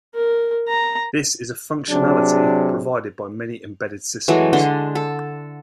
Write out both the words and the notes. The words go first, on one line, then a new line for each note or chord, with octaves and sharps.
This is a functionality provided by many embedded systems.
A#4
A#5
C3 F#3 D4 G#4
E3 F#3 G#3 A3
D3 G#3 D4 C6
A4